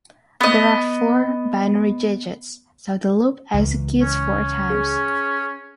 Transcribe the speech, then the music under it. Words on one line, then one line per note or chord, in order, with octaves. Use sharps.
There are four binary digits, so the loop executes four times.
B3 D#5
C#2 E3
C#4
G#4